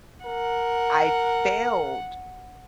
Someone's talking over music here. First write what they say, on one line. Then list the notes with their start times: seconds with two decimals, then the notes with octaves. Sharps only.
I failed
0.25 A#4 F#5